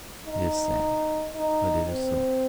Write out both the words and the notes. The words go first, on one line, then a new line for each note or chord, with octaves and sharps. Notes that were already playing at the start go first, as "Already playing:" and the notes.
It is sad, but it is so.
D#4
D#4
C4